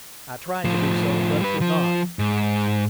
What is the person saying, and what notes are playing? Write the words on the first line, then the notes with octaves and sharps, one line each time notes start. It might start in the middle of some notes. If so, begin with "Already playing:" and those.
I tried to do so, but could not.
A2 F3
G3 B4
F3
G#2